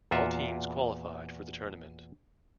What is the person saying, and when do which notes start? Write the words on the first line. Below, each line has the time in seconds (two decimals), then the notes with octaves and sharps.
All teams qualified for the tournament.
0.11 E2 A#2 F4 F#4 E5